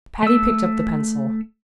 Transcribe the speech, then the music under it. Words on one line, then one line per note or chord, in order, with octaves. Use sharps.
Patty picked up the pencil.
A3 E6